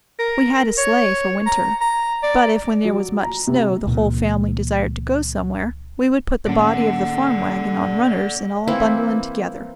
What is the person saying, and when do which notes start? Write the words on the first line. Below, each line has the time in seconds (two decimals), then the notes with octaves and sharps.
We had a sleigh for winter; but if, when there was much snow, the whole family desired to go somewhere, we would put the body of the farm wagon on runners and all bundle in together.
0.19 A#4
0.78 C#5
1.46 A#5
1.81 A#5
2.23 D5
2.84 F#3
3.24 A#5
3.47 C3
3.87 C#2 A#2 E3
6.47 A2 A#3 C#4 D5 F#5
8.68 E3 A#3 C4 E4